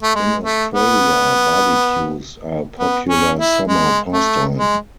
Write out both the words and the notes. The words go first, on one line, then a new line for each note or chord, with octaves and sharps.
In Australia, barbecues are a popular summer pastime.
A3
G#3
A3
B3
B3
C#4
E4
G#3
A3
G#3